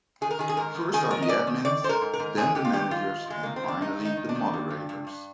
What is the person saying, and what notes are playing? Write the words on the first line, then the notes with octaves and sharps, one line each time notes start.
First are the Admins, then the Managers, and finally the Moderators.
D#3 G#4
A#4
D#3 G#4
G#4
G#2 A#4
D#3
D#3 G#4
D#3 A#4
D#5
G#2 D5
D#3
D#3 D5
G#2 C5
A#4
G#2
A#4
G#2
G#2 G#4
G#2 G4
F4
D#3 G4
G#2 F4
D#3
G2 G#3
D#3 A#3
C4
G2 D4
G2 D#4
D#3
D#4
D#3
D4
D#3
G2
G2
G2
G2